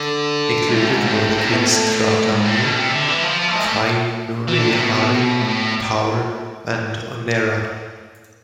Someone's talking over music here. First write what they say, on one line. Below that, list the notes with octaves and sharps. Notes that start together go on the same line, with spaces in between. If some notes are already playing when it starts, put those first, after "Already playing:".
Included were the hits "Krata me", "Kainouria Arhi", "Power" and "Oneira".
Already playing: D3
G#2
A2
G#2
A2
C3
B2
A2
G#2
A2
B2
C3
D3
E3
F3
A3
G#3
A3
E3
D3
C3
B2
A2